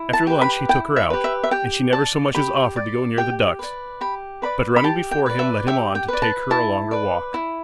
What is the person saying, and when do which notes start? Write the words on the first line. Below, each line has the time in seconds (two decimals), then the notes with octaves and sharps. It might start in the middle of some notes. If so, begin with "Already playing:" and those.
After lunch he took her out, and she never so much as offered to go near the ducks, but running before him led him on to take her a longer walk.
Already playing: E4
0.13 A5
0.27 G4 B4
0.42 B5
0.69 E4 G5
0.96 E5
1.10 G4 B4
1.24 E5
1.44 E5
1.51 G4 G5
1.93 D5 A5
2.34 G4 B5
2.76 D5
3.17 G4 G5
3.59 B4 D5
4.01 G4 B5
4.42 B4 D5 B5
4.76 B5
4.84 G4 A5
5.11 G5
5.26 B4 D5
5.39 E5
5.67 G4 E5
5.95 G5
6.08 B4 D5
6.22 A5
6.50 E4 A5
6.91 B4 D5
7.34 E4